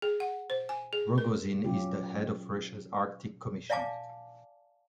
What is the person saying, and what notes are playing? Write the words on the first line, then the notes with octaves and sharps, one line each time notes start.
Rogozin is the head of Russia's Arctic Commission.
G#4
F#5
C5
G#5
G#4
A#4
F#3 C#4 F4 G4
D5 E5 F5 G#5 A5 D6